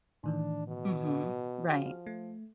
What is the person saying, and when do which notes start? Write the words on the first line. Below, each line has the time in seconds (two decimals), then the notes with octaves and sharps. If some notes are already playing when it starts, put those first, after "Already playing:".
Mhm, right.
0.24 A2 D#3 E3 D4
0.67 B2
1.69 F3 F#4 G#4 F5
2.07 A3